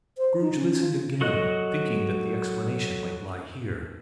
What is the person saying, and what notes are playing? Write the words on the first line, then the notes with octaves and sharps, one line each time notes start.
Scrooge listened again, thinking that the explanation might lie here.
C5
D#4
C#4
F4
F#3 F#4 A4 D#5 F#6